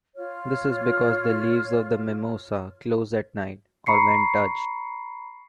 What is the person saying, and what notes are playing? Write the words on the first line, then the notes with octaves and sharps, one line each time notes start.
This is because the leaves of the mimosa close at night, or when touched.
F4 C#5 F6
A#5 B5 C#6 C7 C#7